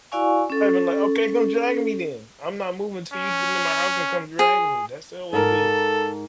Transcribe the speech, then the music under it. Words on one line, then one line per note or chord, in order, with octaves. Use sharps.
I'd been like, "Okay, come drag me then, I'm not moving 'til you get into my house and come dragging me, that's all it is."
E4 F#4 D5 F5 G#5 C#6
C#4 A4
C#4
G#4
G#2 A4 A#4